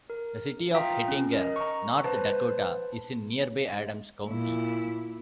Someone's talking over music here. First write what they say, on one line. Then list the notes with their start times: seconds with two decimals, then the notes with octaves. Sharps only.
The "city" of Hettinger, North Dakota, is in nearby Adams County.
0.10 A#4
0.75 F4 F5 G5 A#5 D#6 B6
1.08 C#4
1.33 A#4 D#5
1.56 A#5 C#6
2.04 B4 C5 A5
4.28 A#2 E4